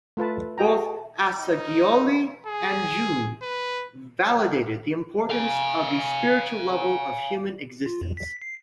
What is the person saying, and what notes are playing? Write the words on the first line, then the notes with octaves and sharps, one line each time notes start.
Both Assagioli and Jung validated the importance of the spiritual level of human existence.
A3 F4 B4 A5
F#4 G#4 D#5 G5 A#5
D#4
G#4
B4
F5 G#5
F4
F2
B6
C7